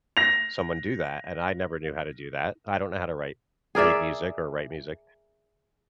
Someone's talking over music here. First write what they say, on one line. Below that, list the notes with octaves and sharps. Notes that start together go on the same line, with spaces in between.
someone do that, and I never knew how to do that. I don't know how to write read music or write music.
A#6 F7
G#4 A#4 D5 E5